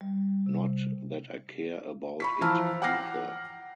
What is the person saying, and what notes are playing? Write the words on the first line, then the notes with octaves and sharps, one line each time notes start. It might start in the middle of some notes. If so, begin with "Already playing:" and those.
Not that I care about it either.
G3
C3
B5 C#6 B6
E3 F3 A5 A#5 E6 F6
F#5 G5 D6 F6 A#6 C7